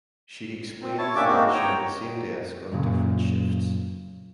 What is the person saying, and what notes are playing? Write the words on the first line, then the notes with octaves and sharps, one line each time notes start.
She explains that they share the same desk on different shifts.
C4
E4 C#5 A5
A#3 C#4 D4 G4 E5 D6
G#3 A#3 C4 D#4 F#4 A#4
C#5 G5 A#5
F#2 A#2 C#3